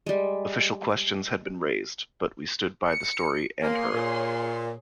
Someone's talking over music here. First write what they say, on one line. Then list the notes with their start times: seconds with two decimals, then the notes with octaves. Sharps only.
Official questions had been raised, but we stood by the story and her.
0.06 G3 G#3
2.88 C#7
3.62 A#3 G#4 C#5 C6
3.93 A#2